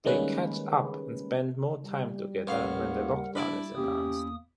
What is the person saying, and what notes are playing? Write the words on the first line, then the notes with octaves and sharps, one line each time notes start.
They catch up and spend more time together when the lockdown is announced.
D#3 G3 G#3 A#3 C#4 B4
G3
A1 D#2 A#4 F5 F#5
D4 E4 D5 B5
E2 A#3 C#4 G4 D#6